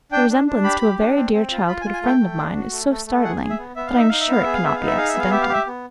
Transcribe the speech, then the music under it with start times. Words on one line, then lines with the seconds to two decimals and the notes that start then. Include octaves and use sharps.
"The resemblance to a very dear childhood friend of mine is so startling that I am sure it cannot be accidental."
0.12 D4 G5
0.29 D4
0.47 D4
0.64 G4 B5
0.81 G4
0.99 D4
1.16 C4
1.33 C4
1.51 F4
1.68 F4 B5
1.81 G#5
1.85 F4
1.94 G#5
2.03 A3 G5
2.20 A3
2.37 D4
2.55 F#4
2.72 A3
2.89 A3
3.06 A3
3.24 G#4 F#5
3.42 G#4
3.50 E5
3.58 B3
3.76 B3 E5
3.87 F5
3.93 D#4
3.98 E5
4.09 D#4 F5
4.20 E5
4.28 B3 F5
4.42 G#4 E5
4.54 F5
4.62 B3 E5
4.76 D#4 F5
4.87 E5
4.97 G#4 F5
5.08 E5
5.15 B3 F5
5.31 G4 E5
5.41 F5
5.49 G4 E5
5.67 B3